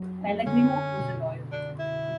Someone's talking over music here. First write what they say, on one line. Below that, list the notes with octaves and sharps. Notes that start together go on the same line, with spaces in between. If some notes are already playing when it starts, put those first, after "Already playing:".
Pellegrino was a lawyer.
Already playing: F#3
D3 C#4
B2
D4
E4